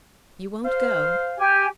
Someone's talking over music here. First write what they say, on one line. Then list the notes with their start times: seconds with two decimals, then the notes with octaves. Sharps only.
You won't go.
0.64 C5 F5
1.36 G4 G#5